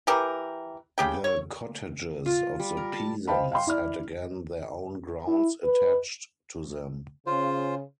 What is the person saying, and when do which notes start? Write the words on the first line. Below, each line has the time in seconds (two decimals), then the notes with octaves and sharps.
The cottages of the peasants had again their own grounds attached to them.
0.07 E3 G4 A#4
0.98 C#3 G4 G5
1.24 C#5
2.26 F4
2.60 G3
2.77 A#4
2.93 A5
3.28 C5 D#5 F5 G5 A5 B5
3.52 F5 G5 C6
3.67 E4 D5 F6
5.28 E4
5.64 B4
7.27 C#3 F4 C5